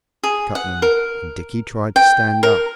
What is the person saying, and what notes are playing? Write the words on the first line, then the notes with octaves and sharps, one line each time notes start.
He cut them, and Dickie tried to stand up.
G#4
F#5
A#4
G5
A#4